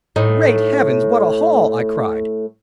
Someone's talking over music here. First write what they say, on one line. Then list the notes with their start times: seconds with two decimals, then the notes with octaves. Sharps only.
"Great Heavens, what a haul!" I cried.
0.16 A2 D#4